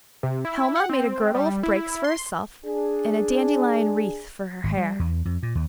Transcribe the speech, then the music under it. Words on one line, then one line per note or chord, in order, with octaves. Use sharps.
Helma made a girdle of brakes for herself, and a dandelion wreath for her hair.
C3
E4
F#5
C4
G3
E4
C6
D4 G#4
G#1
G3
E2
F2
A#2
D#2